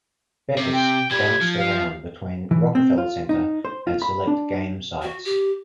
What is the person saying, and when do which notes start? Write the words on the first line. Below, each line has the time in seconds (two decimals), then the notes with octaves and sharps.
Bettis bounced around between Rockefeller Center and select game sites.
0.58 C3
0.73 G5
1.11 A#2 G3 G#6
1.41 F3
1.58 F5
2.51 E3
2.75 C4
2.98 F4
3.29 D#4
3.65 C5
3.87 F4
4.02 B5
4.27 D4
5.02 F#4
5.25 G4